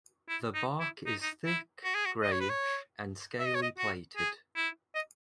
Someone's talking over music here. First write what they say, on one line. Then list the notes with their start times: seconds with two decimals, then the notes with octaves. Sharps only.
The bark is thick, greyish, and scaly plated.
0.29 E4
0.54 D#4
0.80 E4
1.06 D#4
1.22 D#4
1.46 E4
1.84 F#4
1.95 G#4
2.06 F#4
2.22 D#5
2.32 C#5
2.40 B4
2.49 C#5
3.39 E5
3.47 D#5
3.55 C#5
3.62 D#5
3.78 F#4
4.17 G#4
4.56 E4
4.95 D#5